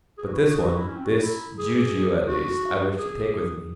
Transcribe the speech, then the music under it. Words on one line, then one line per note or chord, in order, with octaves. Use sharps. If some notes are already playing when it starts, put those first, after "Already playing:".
But this one, this Jijiu at least, I wish to take with me.
G#4
F#4
E4
F#4
G#4
F#4
E4
C#4
C4
F#4
E4
G#4
F#4
G#4